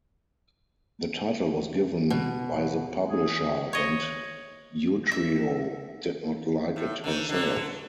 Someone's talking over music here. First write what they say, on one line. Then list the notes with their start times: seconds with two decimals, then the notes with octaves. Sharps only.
The title was given by the publisher, and Utrio did not like it herself.
2.10 B2
3.09 G#4
3.73 C#5 D#5
5.12 E5
6.76 A2
7.04 D3 D#4
7.29 D3 F#3